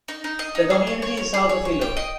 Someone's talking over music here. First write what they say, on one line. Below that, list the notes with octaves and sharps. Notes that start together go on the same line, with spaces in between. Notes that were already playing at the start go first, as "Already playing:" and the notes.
The community is south of Hilo.
D#4
D#4
D#5
D#4
G#4
C#5
C#5
C#5
G#4
C#5
C#5
G5
D#5